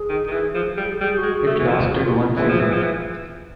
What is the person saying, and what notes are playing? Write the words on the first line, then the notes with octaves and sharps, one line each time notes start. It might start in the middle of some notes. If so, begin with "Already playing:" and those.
It lasted one season.
Already playing: G#4
D#3
D#3
E3
F3
G3
G3 G#4
F#4
G#3
G#4
A3
F#4
E3
F3 F4
F#4
F4
E4
F4
E3 G#4
F3
E3
F3
E3